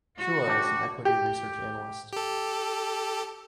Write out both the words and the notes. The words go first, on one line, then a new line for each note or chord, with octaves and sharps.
Chua is an equity research analyst.
F#4
D4 G4
G4
G4 A4